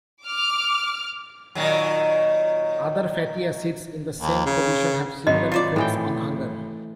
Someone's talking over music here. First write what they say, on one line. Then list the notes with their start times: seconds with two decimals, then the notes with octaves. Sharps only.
Other fatty acids in the same position have similar effects on hunger.
0.23 D6 F6
1.55 A#2 D#3 F#3
4.18 D#2
4.46 C#3
5.27 G#1 F#3 D#5
5.52 F4 C5 D5
5.76 A2 E3 G5